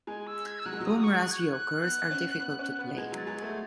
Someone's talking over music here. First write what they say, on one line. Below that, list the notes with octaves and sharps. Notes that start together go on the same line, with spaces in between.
Bumrah's yokers are difficult to play.
G#3 G#5
E6
G#6
E6
F#3 F#6
G#3
F#3 D#6
D#6
C#6
F#6
G#6
F#6
F#6
B3
C#4
B3
C#4
B3
G#3 G#6
F#3
A6
G#3
G#6
A3